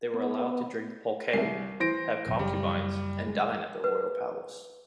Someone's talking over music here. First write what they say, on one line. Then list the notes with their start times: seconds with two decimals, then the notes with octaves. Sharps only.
They were allowed to drink "pulque", have concubines, and dine at the royal palace.
0.14 B3
1.33 C2 E5 C7
1.80 E3 C5 A#6 D7
2.26 D1 B1
2.39 F#1 G3
3.26 G#3
3.84 B4